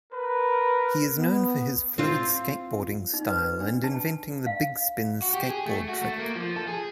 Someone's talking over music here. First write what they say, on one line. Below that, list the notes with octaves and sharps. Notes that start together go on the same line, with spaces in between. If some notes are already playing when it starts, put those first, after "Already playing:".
He is known for his fluid skateboarding style and inventing the "Bigspin" skateboard trick.
A#4 B4
B3
C4 F4
D#4
B4
D4
A5
F5
F#4
G4
G#4
A3
F#4
A3
A#3
F3
A4
G#4